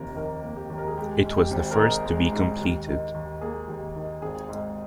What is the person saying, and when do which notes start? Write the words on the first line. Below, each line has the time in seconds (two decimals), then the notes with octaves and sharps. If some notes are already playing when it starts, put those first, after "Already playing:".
It was the first to be completed.
Already playing: F1 D#2 A#3 A#4
0.16 D#3 A#4
0.43 A#3
0.56 G4
0.70 D#2
0.78 A#4
0.88 G#4
0.97 G#3 G4
1.24 G#2
1.37 G4
1.51 G#1
1.71 A#4
1.78 D#3 G#4
2.06 G#3
2.33 G#2
2.60 D#2
2.87 D#3
3.14 D#2
3.41 A#3 G#4
3.68 D#2
3.96 D#3
4.22 G#1 G#4
4.49 G#2